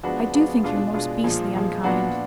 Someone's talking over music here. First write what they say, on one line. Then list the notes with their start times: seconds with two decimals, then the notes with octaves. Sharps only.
I do think you're most beastly unkind.'
0.03 F3 G#3 B3 D4 F#4
0.33 F3 G#3 B3 D4 F#4
0.63 B2 G#3 D4 F4
0.94 B2 G#3 D4 F4
1.24 A#2 F3 G#3
1.54 A#2 F3 G#3
1.83 A#2 F3 B3 D4 F#4